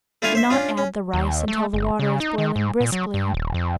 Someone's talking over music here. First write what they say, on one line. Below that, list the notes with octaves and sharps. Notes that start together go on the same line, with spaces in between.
Do not add the rice until the water is boiling briskly.
A3 D4 E4 F4 F5 G#5
C5 E5
C#4 D4 F4
C#4
D#2
A3
G1
C#3
D#4
D#3
G#2
A#2
F#3
G2
D#1
F2